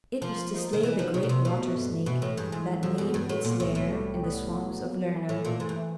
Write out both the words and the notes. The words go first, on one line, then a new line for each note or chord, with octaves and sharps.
It was to slay the great water snake that made its lair in the swamps of Lerna.
F3 A#3
D#4
D#3
E3 B3
F3
A#2 C#3
B2
C3
B2 A3
G2
B2 E3
A2
G2 G#3
G#2
F#3
F2
F#2 B3
G2
A2 F#3
A#2
C2 A2
A2
G3
B3
F#3
A#3
E3
A2
A#2 A3
G#2
G2
E3